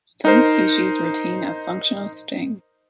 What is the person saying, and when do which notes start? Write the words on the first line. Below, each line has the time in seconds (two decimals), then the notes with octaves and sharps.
Some species retain a functional sting.
0.25 D#4 A#4 C5